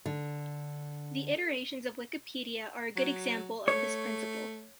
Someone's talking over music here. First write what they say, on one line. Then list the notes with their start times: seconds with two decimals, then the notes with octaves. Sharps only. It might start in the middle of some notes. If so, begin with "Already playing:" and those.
The iterations of Wikipedia are a good example of this principle.
0.06 D3
2.96 F#3
3.68 A3 C#5